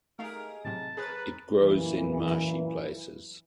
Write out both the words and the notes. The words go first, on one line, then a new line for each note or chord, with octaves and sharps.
It grows in marshy places.
A3 D#4 G4 G#4 A#4 F5
A2 C3 F#3 A5
C4 G#4 A#4 B4 A6
F#2 A#2 E3